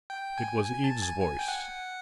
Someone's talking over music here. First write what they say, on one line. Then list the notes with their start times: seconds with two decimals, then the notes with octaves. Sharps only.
It was Eve's voice.
0.10 G5
0.38 G#5
0.65 G#5
0.84 A5
1.02 G#5
1.20 G#5
1.39 G5
1.48 F#5